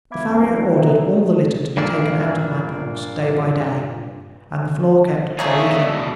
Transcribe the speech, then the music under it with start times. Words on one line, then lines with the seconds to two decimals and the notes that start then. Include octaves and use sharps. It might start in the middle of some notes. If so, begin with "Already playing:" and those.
The farrier ordered all the litter to be taken out of my box day by day, and the floor kept very clean.
0.11 B3 E5 F5 B5 D6 G#6
0.28 C#2 F#2 C4 G#5
0.42 F3 G3 D#4 F4 B4
0.59 F#5 A5
0.77 D#5 E5 A#5
0.97 B2 G#3 A#3 C#4
1.77 G2 A#2 A#3 D4
5.39 A3 A#3 F4 G#4 C#5
5.61 D2 B2